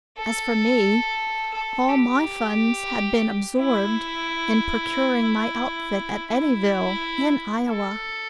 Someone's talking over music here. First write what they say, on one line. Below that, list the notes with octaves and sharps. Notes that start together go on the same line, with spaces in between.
As for me, all my funds had been absorbed in procuring my outfit at Eddyville, in Iowa.
A4
A4
G4
E4
E4
A4